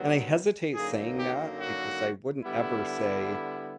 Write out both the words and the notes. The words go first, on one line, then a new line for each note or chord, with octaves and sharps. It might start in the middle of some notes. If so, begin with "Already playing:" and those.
and I hesitate saying that because I wouldn't ever say,
Already playing: G2 D#3 F#3 B3
F#2 D3 F#3 A#3 D#4 G#4
G4
F#4
D3 G3 B3 E4